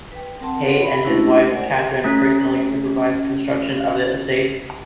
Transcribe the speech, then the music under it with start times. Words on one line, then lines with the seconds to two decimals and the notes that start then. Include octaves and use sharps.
Hay and his wife Katherine personally supervised construction of the estate.
0.12 B4 G5
0.41 C4 A#4 F#5 A5 C6
0.64 F#4 A#4 B4 C#5 D#5 F#5
0.81 B5
1.04 G#3 A3 C#4 D4 E4 F#4
1.50 A#4 C5 D5 F#5 G#5
2.04 A3 C#4 B6